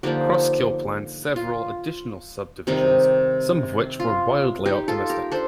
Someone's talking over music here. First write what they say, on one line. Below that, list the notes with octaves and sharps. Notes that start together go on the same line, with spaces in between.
Crosskill planned several additional subdivisions, some of which were wildly optimistic.
D3 F3 A#3 D4 D#4 G4
F4
C3 D#3 G3 D#4
F4
D#4 G4
F4 A4
G4 A#4
D4 A4 C5